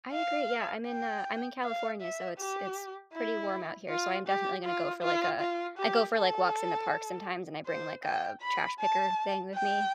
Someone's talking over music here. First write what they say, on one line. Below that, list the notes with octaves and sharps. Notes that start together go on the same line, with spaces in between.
I agree, yeah, I'm in, uh I'm in California, so it's it's pretty warm out here. So I am definitely gonna go for, like a I go for, like, walks in the park sometimes and I bring like a trash picker thing with me.
F5
G5
F5
E5
G4
E4
F4
G4
F4
F4
F4
G4
A4
C5
G5
B5
A5
G5